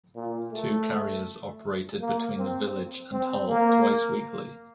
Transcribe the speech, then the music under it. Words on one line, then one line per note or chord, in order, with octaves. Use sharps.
Two carriers operated between the village and Hull twice weekly.
A#2
A3
A#3
C4
C4
A#3